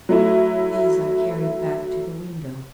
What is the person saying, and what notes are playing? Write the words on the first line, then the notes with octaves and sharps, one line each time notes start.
These I carried back to the window.
F#3 A3 E4